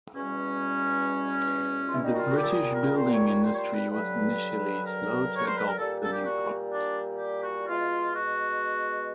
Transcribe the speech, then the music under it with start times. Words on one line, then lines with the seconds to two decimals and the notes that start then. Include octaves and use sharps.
The British building industry was initially slow to adopt the new product.
0.15 E2 B2 G3 C#4
1.87 F4
1.95 E4
2.02 A#2 G3 D#4
2.14 F#4
2.18 F4
2.30 F#4
2.34 G4
2.42 A4
2.49 G#4
2.73 A#4
2.96 C5
3.12 C#5
3.28 C#5
3.43 C5
3.54 C#5
3.58 C5
3.75 B4
3.90 G2 D3 F#3 B4
4.84 A#4
5.37 C#5
5.47 C5
5.57 B4
5.67 A#4
5.78 A#2 G3 A4
6.02 A4
6.13 G4
6.25 F#4
6.72 D4
7.19 G4
7.43 F#4
7.66 B2 G#3 F4
8.13 F#4